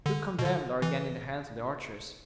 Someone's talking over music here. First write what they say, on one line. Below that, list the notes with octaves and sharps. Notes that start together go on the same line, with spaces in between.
The two condemned are again in the hands of the archers.
D3
B2
D3
E3